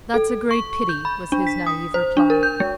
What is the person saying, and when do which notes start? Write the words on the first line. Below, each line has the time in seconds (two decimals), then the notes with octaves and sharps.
"That's a great pity," was his naive reply.
0.14 A4
0.51 C#6
0.89 G6
1.05 B5
1.32 D4
1.47 B6
1.66 D#6
1.94 C5
2.17 D4
2.30 A#4
2.43 G6
2.60 G#3